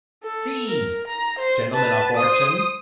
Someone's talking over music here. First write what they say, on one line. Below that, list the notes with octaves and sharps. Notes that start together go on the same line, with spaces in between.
Sea! Gentlemen o' fortune!
A4
A#4
A#5
C5
B4 A5
C5 D#6